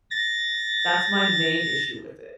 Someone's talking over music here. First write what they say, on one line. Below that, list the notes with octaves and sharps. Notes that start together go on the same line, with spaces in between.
That's my main issue with it.
A6 A#6